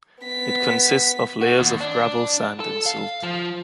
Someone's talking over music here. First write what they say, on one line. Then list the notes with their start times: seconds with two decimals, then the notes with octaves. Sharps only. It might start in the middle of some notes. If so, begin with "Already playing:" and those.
It consists of layers of gravel, sand and silt.
0.24 B3 B6
1.41 F#4
1.60 D#2
1.81 D4
2.60 A4
2.86 F5
3.23 F3